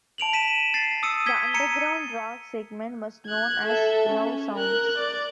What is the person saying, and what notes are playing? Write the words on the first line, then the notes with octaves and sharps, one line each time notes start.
The underground rock segment was known as Now Sounds.
A5 D7 F7 F#7
B6 D#7 E7
A6 C7
D#6 E6 C#7 D#7
G#6 B6 G7
A#5 C#7 D#7
F#6 G#6
A4 E5
C#4
A#4 F#6
D5